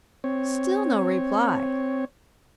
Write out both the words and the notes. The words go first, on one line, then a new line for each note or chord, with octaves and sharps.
Still no reply.
C4 C#5